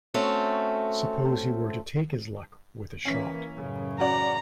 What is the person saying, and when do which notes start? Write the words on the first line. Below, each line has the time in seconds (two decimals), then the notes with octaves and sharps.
Suppose he were to take his luck with a shot?
0.14 A3 C4 C#4 F#4
3.05 C#2 E3 A#3 C#4 B6
3.55 A1 F#2 C#3
4.00 C#4 F#4 D5 A#5